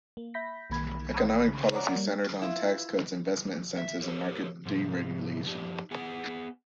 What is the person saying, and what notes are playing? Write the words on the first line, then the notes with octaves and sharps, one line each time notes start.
Economic policy centered on tax cuts, investment incentives and market deregulation.
A#3
E5 B5 G6 A#6 B6
B1 D#3 A#3 B5 G#6
C#3
C#5 D5 F#5 A#5 D6
G3 A#3
E4 F4
E5
F#4 G4 A4 A#4 C#5
G#2 C3 F3
F3 D#4 G4 D5
B3 G#4 F#5 G#5